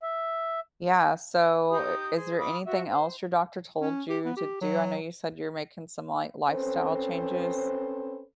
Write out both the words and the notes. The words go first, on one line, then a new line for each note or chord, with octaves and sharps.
yeah, so, i is there anything else your doctor told you to do? I know you said you're making some, like, lifestyle changes.
E5
D#4 G4 D#6 G6
G#4 C5
F4 B5 D6 D#6
F#4 E5
C5
C#4
G4
B3
G4
F#3
C4 C#4 A4 B4 C5